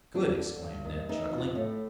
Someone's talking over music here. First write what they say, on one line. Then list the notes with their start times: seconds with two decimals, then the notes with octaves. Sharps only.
"Good!" exclaimed Ned, chuckling.
0.14 F2 D4
0.38 D3
0.62 G2
0.85 D#3
1.09 E3 D#4
1.32 F2
1.55 A2